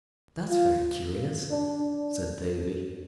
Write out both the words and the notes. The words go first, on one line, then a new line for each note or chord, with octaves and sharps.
"That's very curious," said Davy.
F4
D4